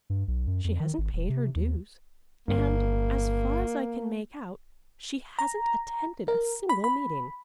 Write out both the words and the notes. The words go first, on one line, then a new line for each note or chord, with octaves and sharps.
She hasn't paid her dues, and, as far as I can make out, she hasn't attended a single meeting.
G2
B1
F#2
F2
D#3
G#1
D#1
C3
D#2
G1 A#3
A#5
A#4
B5
B5